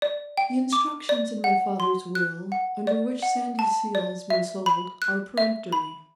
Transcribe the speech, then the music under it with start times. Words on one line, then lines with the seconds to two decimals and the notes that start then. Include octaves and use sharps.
The instructions in my father's will, under which Sandyseal has been sold, are peremptory.
0.02 D5
0.37 G5
0.73 D6
1.09 D5
1.44 F#5
1.80 C6
2.15 F#6
2.52 F#5
2.87 D5
3.22 F#5
3.59 A5
3.95 D5
4.30 E5
4.66 B5
5.02 F#6
5.38 E5
5.72 B5